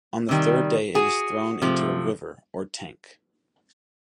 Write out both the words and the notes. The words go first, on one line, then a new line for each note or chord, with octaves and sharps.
On the third day it is thrown into a river or tank.
C3 D#3 G3
F#4 G#4
C3 F3 A3